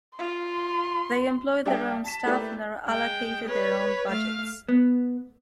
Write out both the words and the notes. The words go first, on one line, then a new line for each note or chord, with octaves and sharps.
They employ their own staff and are allocated their own budgets.
F4 C6
G3 D4 G4 G#4 E5 G5
A5 B6 E7
A3 A#3 E4 G4 B4 D5
G#3 G5
B4 C#5
A3 F5
B3